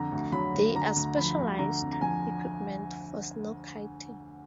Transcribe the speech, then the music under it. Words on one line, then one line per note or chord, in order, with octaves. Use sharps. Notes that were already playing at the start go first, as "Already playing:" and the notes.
There are specialized equipment for snowkiting.
Already playing: F2 D3 A#5
D2
F#3 B5
D2
D3 A#5
D2
F3 B5
D2
D3 A#5
F2
A#5
F3 G#5